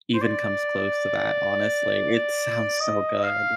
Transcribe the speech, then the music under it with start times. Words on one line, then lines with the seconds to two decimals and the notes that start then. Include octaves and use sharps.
even comes close to that, honestly, it sounds so good.
0.14 C5
0.22 D5
2.80 D#5
3.24 F5